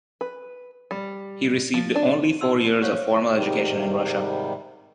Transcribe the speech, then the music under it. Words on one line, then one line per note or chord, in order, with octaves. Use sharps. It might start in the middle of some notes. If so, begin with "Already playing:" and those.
He received only four years of formal education in Russia.
B4
G3
F3
D4
D#4 E4 F#5 C6 E6
C5 C#5 F5 F#5 C#6
G#2 C3 D#3 G3